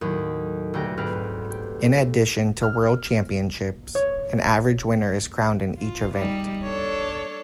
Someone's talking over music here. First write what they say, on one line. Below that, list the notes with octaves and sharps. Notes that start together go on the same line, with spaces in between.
In addition to world championships, an average winner is crowned in each event.
D#2 A2 F#3
D2 B2 G4 G5 A#6
D2 G#2 C4 B4 F6 D7
G4
F6
C#5
F4
G3 D#4
D4 A4 C#5